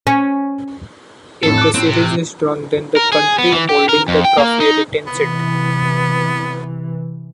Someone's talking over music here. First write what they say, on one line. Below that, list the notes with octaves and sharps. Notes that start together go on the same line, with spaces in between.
If the series is drawn, then the country holding the trophy retains it.
C#4
A1 F2 A2 A4
D6 F#6
A2 A3 C4
C3
A#4
G#4
B3
E3
G4
A#4
F2
G5
A#3
D#4
C3 E3 B3